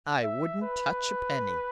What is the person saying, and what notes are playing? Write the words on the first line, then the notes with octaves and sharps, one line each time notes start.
I wouldn't touch a penny.
E5
B4